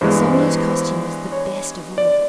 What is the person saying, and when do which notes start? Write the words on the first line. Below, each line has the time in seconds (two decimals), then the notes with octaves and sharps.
Sonya's costume was the best of all.
0.01 G2 E3 G#3 B3 C5
0.34 C5
1.32 C#5
1.98 D5